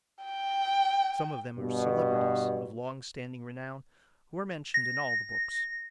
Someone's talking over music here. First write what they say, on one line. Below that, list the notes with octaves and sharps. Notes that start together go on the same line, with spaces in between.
Some of them are celebrities of long-standing renown, who are mentioned in all the books.
G5
G2 B2
A#6